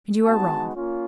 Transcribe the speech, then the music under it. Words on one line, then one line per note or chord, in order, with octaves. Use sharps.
"And you are wrong."
G#3 B3 D#4 F#4 A5
A#3 C#4 F4